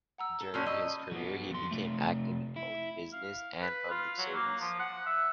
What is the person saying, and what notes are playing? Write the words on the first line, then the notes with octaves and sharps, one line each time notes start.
During his career, he became active in both business and public service.
F#5 A#5 E6
A4
A#2 F#3 C#4 D5 A5 G6
D#5 B5 E6
F#3 B3
F2 C6
C3 A3
E4
F5
B4
F4
F#3
A#3
F3
F#5
E5